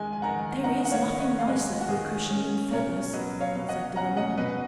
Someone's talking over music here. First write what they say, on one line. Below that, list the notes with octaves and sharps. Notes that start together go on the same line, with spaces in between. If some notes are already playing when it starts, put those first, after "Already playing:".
"There is nothing nicer for a cushion than feathers," said the woman.
Already playing: D#3 G#3 G#5
G#5
D#3 F#5 A#5
D#4 F#5 A#5
F#5
C#5 F5
D#3
B4 D#5
F5
G#3 B4 D#5
F#4
D#3 G#4
C#4
B2 A#4 C#5
F#3 B4 D#5
C#5 F5
B2
D#5 F#5
C#4 F#5 A#5
D#5 F#5
B2 B4 D#5